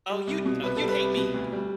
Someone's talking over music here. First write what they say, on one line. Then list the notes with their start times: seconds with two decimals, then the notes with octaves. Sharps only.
oh, you'd oh, you'd hate me.
0.10 G3
0.27 C2
0.46 B2
0.63 C2 B4
0.76 G3 A4
0.89 B4
0.99 C2
1.17 B2
1.34 D2
1.52 G3